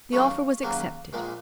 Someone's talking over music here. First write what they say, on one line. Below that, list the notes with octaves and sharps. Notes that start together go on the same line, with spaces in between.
The offer was accepted.
D#2 C#3 F#3 A#3 C#6
D#2 C#3 F#3 A#3
A#1 A#2 G#3